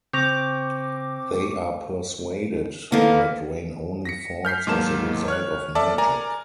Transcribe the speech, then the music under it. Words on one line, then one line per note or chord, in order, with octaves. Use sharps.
They are persuaded that rain only falls as a result of magic.
C#3 C4 C#6 D6 G6 A#6 F7
D3 D#3 A#3 B3
A#6 B6 C#7
F6 G6 B6 C7
G#2 F#3 G#3 A#3 A5 E7
C#5 F6 F#6
A4 D5 E5 A5
A#4 D5 G#5 A#5